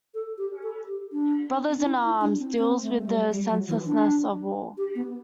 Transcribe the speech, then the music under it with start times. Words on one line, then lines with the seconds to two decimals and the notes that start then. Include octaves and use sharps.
"Brothers in Arms" deals with the senselessness of war.
0.14 A4
0.38 G4
0.63 A4
0.87 G4
1.12 D4
1.68 C4
1.77 D4
1.84 E4
2.03 E4
2.21 D4
2.39 C4
2.58 C4
2.82 A3
2.99 A3
3.06 G3
3.31 G3
3.49 F#3
3.68 E3
3.86 D4
4.78 G4
4.95 B3